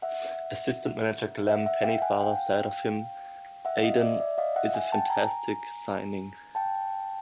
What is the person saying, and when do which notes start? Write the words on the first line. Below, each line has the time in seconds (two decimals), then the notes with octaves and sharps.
Assistant-manager Glenn Pennyfather said of him, Aidan is a fantastic signing.
0.02 E5 F#5
1.47 E5 F#5
1.66 E5 F#5
1.83 F5 G5
2.02 F#5 G#5
2.21 F5 G5
3.65 E5 F#5
3.83 D#5 F5
4.01 D5 E5
4.20 D5 E5
4.38 D#5 F5
4.56 E5 F#5
4.74 F#5 G#5
4.92 G5 A5
5.10 G#5 A#5
6.55 G5 A5